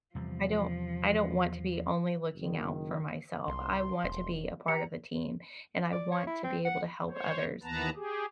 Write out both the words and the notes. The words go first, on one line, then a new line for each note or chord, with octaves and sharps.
I don't I don't want to be only looking out for myself, I want to be a part of the team, and I want to be able to help others,
E2 C3 F3 G3
F#1 D#3
C2 C6
E1
G4 A#5 C#7
D5
C#5
E4
C4
F#5
C5 C#5
D#2 E3 B3 B4 A5 A#5
G4 G#4